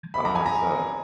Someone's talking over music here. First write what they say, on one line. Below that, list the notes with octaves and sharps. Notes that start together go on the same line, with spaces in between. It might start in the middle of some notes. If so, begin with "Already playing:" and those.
Uh, so
B5
A#5
G#5
A#5